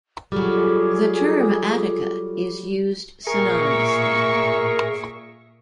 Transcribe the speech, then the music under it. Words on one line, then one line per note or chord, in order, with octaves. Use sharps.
The term attacca is used synonymously.
F#3 G3 F4 G#4 A4 D6
A#2 G#4 A#4 E5 C#6